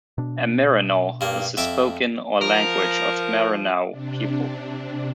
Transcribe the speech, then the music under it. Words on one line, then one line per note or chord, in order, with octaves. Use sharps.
A "Meranaw" is a spoken or language of Maranao people.
B2 D4
G2 A#3
F2 E5 D6
F3 A#4
C3 D4